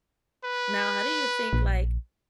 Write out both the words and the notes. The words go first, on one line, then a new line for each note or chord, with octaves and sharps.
Now how do you think, like,
B4
A#1